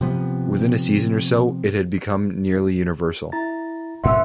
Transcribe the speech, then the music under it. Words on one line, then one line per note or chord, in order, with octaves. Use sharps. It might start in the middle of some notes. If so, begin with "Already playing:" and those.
Within a season or so, it had become nearly universal.
C3 F3 B3
E4 A#5 A6
D2 A2 C#4 E5 F#5 C6 E6